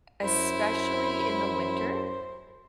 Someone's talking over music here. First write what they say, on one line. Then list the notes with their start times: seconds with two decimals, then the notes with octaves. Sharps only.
especially in the winter,
0.23 F#2 E4 C5